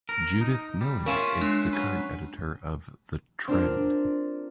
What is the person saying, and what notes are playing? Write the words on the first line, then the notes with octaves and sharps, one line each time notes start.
Judith Milling is the current editor of the "Trend".
A#4
D#4
G3
C#4 E4 F4 A#4 F5 D#7
G#3 D4
F#3 C#4 B4
C4 D4 F4 A#4